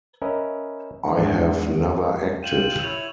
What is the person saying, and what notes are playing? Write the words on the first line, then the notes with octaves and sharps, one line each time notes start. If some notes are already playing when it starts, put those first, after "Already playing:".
I have never acted.
C#4 A#4 B4 D#5 E5
E2 G#2 D4
F4 G5 D#7 E7 F#7
E4 C#5 F7